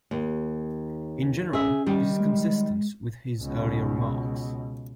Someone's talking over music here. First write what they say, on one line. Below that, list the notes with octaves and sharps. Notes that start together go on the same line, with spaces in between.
In general, this is consistent with his earlier remarks.
D#2
C#4 G#4 E5
D#3 G3
G#3
C#2 B2